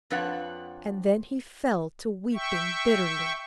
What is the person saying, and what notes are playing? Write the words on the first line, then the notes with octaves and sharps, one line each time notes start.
And then he fell to weeping bitterly.
F2 F3 D4 B4 C#5 F#5
E5 G5 C#6